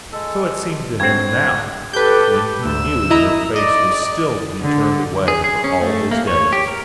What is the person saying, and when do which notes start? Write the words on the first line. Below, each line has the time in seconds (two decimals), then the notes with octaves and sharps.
So it seemed to him now when he knew that her face was still to be turned away for all his days.
0.12 G#3 A4
1.00 G2 C4 F#4 G#6
1.93 G4 A4 B4 G6
2.65 D2 E6
3.10 E4 D#5 A#5
3.56 D5 D#5
4.62 D3
5.28 G#4
5.44 G#4
5.64 C#4
5.81 A3
6.11 A#3
6.27 C#5
6.53 G4
6.68 A#4